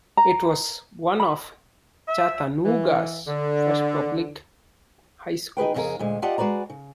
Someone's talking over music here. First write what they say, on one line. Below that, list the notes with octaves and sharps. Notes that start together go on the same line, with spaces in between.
It was one of Chattanooga's first public high schools.
A#5
B5
E5
E3
D3
D#4 G#4 B4 G5
F2 C#3 D#4 E4 G#4 A#4
D2 A#2 G#3
F4 G4 D5 D#5 F#5 A5
G#3 F#4 B4 D5 A#5
C#3